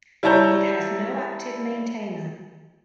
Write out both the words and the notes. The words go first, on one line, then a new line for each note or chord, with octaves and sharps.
It has no active maintainer.
G3 E4 C#5 A5 A#5 G6